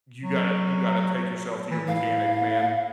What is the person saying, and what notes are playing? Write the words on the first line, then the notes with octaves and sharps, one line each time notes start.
you gotta you gotta take yourself to your mechanic, man.
F#3
E3
A2 F5